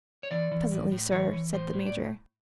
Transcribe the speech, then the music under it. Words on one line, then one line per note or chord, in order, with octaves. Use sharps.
"Presently, sir," said the Major.
C#5
E3 D5
E3
A2
A2
E3 C#5
E3
A2 C5
A2
D5